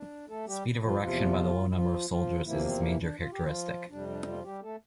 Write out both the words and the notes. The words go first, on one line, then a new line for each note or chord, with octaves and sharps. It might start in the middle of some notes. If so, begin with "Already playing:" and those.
Speed of erection by the low number of soldiers is its major characteristic.
Already playing: D4
A3 A4
G3 G4
F3 F4
E2 C3 F3 F4
F3 F4
F3 F4
E2 C3 E3 F3 A#3 E4
C4
E3 E4
D4
F4
G4
F3 F4
F2 C3 G3 D4
D4
F3 F4
G3 G4
A3 A4